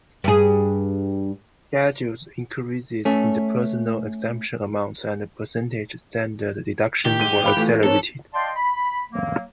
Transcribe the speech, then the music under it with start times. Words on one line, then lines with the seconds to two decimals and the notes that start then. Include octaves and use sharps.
Scheduled increases in the personal exemption amount and percentage standard deduction were accelerated.
0.24 G2 G#4
3.05 A3 C#4
7.05 D#3 G4
7.19 G#2 D#7
7.44 F5 B5 F#6
7.57 E3 A3 F4
7.83 C4 A4 A#4 C#5
8.33 D5 D#5 F5 G5 A5 C6
8.56 B5
9.11 F#3 A#3